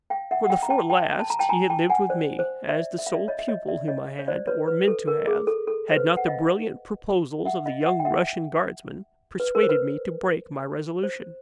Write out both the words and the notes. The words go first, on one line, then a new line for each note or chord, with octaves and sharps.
For the four last he had lived with me as the sole pupil whom I had, or meant to have, had not the brilliant proposals of the young Russian guardsman persuaded me to break my resolution.
F5 G5
E5 F#5
F#5
F5 G5
A#5
G5 A5
G5 A5
A5
A#5
G5 A5
G#5 A#5
G5 A5
F#5 G#5
C5 D5
C5
D5 E5
E5
F5
D5 E5
C#5 D#5
E5
C#5 D#5
D5 E5
C#5 D#5
C#5
C5 D5
B4 C#5
B4
A4
A#4
G#4
A4
A4
C5
B4
F#5
D#5 F5
E5 F#5
D#5 F5
E5 F#5
G5
E5 F#5
B4
A#4
C5
B4
C5